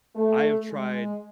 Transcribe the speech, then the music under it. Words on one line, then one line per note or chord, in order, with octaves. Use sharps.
I have tried
A3
G#3